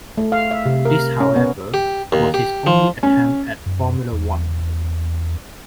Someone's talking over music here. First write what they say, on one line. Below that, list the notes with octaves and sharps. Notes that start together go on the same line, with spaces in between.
This however, was his only attempt at Formula One.
A3
F5
E5
C3
A#4
C#4
B3
G4
D#2
G4
F3
C#4
F#2
E2